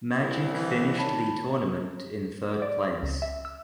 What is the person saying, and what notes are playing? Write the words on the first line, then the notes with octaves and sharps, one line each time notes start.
Magic finished the tournament in third place.
C2 E4
E3
D#3 C#5 A5 B5
D5
C#2
E5
E6